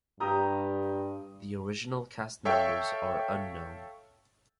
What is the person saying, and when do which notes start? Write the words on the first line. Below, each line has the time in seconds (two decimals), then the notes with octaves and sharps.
The original cast members are unknown.
0.20 G2 G4 A#5 D#6
2.45 A4 C#5 E5 F5 G5 C#6